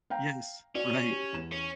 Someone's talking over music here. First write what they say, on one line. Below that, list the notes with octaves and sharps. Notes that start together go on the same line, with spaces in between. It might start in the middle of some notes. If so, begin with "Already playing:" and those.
Yes, right.
F5 G5 A#5
C#4 F#4 D5
G4
E2 E7
C#4